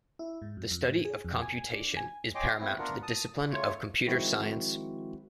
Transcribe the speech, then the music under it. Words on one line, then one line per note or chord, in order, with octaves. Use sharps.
The study of computation is paramount to the discipline of computer science.
E4
G#2
F#2
F2
A2
G#4
F2
G#5
D4
G#5
C#5 D#5 G5 G#5 C6 D6
A3 B3 C4 E4
B3 D4 F4 A#4 F#5
A5 D#6
A#2
C#3 A3 F4 C#5 C#6
D#3 F3 G#3 C4 E4 F#4